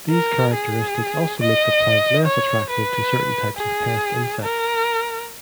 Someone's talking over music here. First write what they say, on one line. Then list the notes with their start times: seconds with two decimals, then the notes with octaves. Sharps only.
These characteristics also make the plant less attractive to certain types of pest insects.
0.10 A#4
0.54 G#4
1.40 D#5
2.26 C#5
2.70 B4
3.56 G#4
4.42 A#4